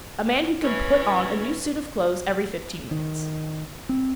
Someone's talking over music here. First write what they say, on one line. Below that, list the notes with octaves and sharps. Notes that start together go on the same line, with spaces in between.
A man who can put on a new suit of clothes every fifteen minutes.
E3 C#4
D#3
C4